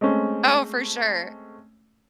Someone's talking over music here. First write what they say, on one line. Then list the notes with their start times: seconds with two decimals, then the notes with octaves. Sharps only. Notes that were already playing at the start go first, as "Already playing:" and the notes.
Oh, for sure.
0.01 G#3 A3 C4 C#4